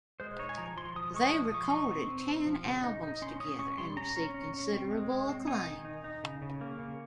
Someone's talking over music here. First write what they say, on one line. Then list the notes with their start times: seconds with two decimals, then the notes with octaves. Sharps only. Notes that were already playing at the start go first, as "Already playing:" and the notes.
They recorded ten albums together and received considerable acclaim.
0.20 G#3 C5
0.39 D#4 C#5
0.49 G#5
0.58 F3 A#5
0.77 F3 C6
0.96 F3 D#6
1.14 G#3 C#6
1.21 D#6
1.33 F3
1.45 D#6
1.52 F3 C#6
1.63 C6
1.70 D#4 C#6
1.90 C4
2.08 C4
2.28 C4
2.47 F3
2.65 C#3
2.84 D#4
3.03 D#4
3.22 C#4 C6
3.40 C#4 D#6
3.59 C#4 C#6
3.78 G3 C6
3.97 C#4 A#5
4.16 C#4
4.34 C#4
4.54 C#4
4.73 C4
4.91 G#3
5.10 G#3
5.29 C4
5.47 D#4 G#5
5.66 D#3
5.85 D#4
6.04 D#4
6.23 C#3
6.42 C#3
6.61 A#3
6.79 C#3